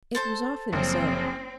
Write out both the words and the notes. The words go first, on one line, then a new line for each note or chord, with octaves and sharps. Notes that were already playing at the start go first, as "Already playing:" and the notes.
It was often so.
A4 C5 A5
F#1 F3 C4